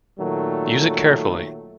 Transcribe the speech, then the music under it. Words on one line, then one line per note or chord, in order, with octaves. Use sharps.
Use it carefully.
A#2 D#3 F#3 A3